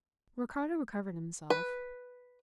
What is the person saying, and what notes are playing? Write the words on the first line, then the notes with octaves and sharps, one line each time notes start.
Ricardo recovered himself.
B4